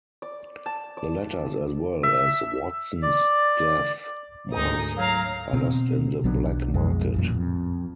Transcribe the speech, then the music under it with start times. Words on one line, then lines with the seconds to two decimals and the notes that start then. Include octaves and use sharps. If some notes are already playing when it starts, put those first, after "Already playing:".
The letters as well as Watson's death mask are lost in the black market.
0.22 D5
0.66 A5
0.97 D5
2.03 E5
3.03 D5
4.51 G#1 D2 D#4 G#4 A#4 D#6
4.97 F#3 F5 A#5
5.53 B2 C4
6.24 B1 F#3 B3 D4
6.74 B1 F2 G#3
7.14 A1 F#2 A#2
7.34 F2